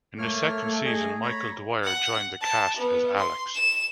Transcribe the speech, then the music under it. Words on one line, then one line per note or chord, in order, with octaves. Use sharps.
In the second season Michael Dwyer joined the cast as Alex.
A3 A#3 C#5 F6
G#4 D#5 G#5
C#5 A#5 B5
F#5
A5
B3
C6
E7